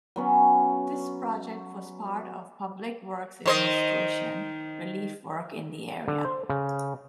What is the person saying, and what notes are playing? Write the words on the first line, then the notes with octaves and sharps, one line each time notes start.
This project was part of Public Works Administration relief work in the area.
F#3 B3 C#4
D#3 C5 D#5
D3
C5
C#3